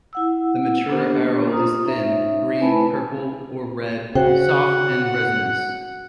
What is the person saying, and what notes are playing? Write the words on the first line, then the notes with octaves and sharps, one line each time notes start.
The mature aril is thin, green, purple or red, soft and resinous.
E4 F#5 E6
A#3 B3 C#4 D4 G4 C5
C#4 F4 A#5 D#6
C#4 D#4 C5 C#5 E5
A3 E4 B4 G#5 A5 B5
C#3 F#4 C5 F#5 G5